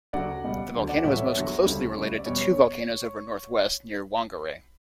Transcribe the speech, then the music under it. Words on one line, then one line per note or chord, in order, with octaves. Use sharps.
The volcano is most closely related to two volcanoes over northwest, near Whangarei.
D2 C#3 F#3 D5 F#5
C#2 B2 G3
D2 D3 F#3
D5 F#5
A2 E3 G3 C#5 E5
E2 D3 F#3
D2 C#3 G3
C#2 C#3 G3
D5
E2 B2 G3 C#5